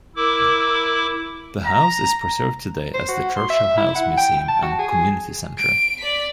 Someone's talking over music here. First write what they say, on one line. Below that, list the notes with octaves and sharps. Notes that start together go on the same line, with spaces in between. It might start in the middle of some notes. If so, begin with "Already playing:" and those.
The house is preserved today as the Churchill House museum and community centre.
E4 A#4 D6 E6
A#5
C5
F#4
C6
E5
E4
F#5
G5
A5
F#4
G#4
D7
D5 B6